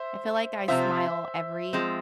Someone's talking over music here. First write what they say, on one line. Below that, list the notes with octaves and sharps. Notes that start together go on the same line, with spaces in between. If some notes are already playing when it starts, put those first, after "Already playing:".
I feel like I smile every
Already playing: C5 E5
C3 F3 C4 F4 C5 E5
F3 G#3 C4